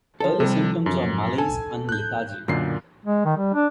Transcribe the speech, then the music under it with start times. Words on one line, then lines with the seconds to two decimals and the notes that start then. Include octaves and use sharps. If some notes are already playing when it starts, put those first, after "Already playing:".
Early symptoms are malaise and lethargy.
0.20 F3 A4
0.40 C3 G3
0.86 F#2
1.38 A4 G#5
1.89 F#6 G6
2.48 B1 F#2 A#2 D3 C7
3.05 G#3
3.25 D#3
3.37 G3
3.54 D4